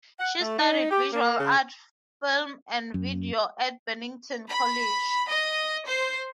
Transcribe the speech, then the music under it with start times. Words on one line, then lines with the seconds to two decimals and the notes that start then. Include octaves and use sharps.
She studied visual art, film and video at Bennington College.
0.20 F#5
0.40 A3
0.59 D#4
0.91 G4
1.12 A#3
1.39 C#3
2.94 F#2
4.49 B5
5.28 D#5
5.86 C5